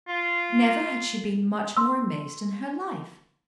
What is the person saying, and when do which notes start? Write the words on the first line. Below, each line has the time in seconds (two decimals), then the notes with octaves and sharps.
Never had she been much more amazed in her life.
0.08 F4
1.77 C6 E6